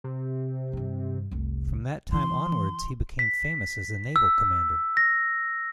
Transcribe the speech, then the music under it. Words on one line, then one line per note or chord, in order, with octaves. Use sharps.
From that time onwards, he became famous as a naval commander.
C3
G2 D#3
F1 C2
E3 C6
B6
E6
A#6